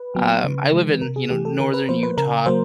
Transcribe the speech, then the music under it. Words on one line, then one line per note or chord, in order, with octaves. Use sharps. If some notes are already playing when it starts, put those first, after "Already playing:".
um, I live in, you know, northern Utah,
Already playing: B4
F#3 B3
C#3
E3 G#3
C3 A#4
G#4
E3 A3 G4
A4
D3 A#4
B4
F3 A#3 C5
B4
C#3 A#4
F#3 A#3 C5